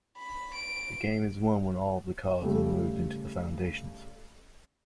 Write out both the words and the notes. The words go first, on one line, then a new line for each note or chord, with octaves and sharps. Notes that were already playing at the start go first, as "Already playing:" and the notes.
The game is won when all of the cards are moved into the foundations.
B5
D7
C#3 G3 A3